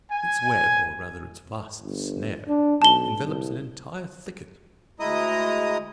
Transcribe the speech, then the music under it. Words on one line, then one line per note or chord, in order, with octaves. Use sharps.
Its web, or rather its vast snare, envelops an entire thicket.
G#5
G1
D4
B1 A5 G7
C2
D2 G#3 E4 D#5 A#5 D#6